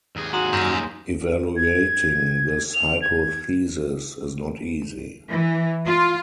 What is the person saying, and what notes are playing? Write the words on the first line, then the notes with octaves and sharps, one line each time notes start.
Evaluating this hypothesis is not easy.
D#2 G#4
F#4 A#5 C6 D#6
F#2 G6 A#6
G#6
F7
G#6
E3
F4